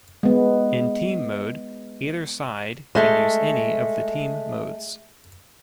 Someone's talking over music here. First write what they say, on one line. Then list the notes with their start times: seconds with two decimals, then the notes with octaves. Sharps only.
In Team mode, either side can use any of the team modes.
0.23 G#3 B3
2.95 G#3 A3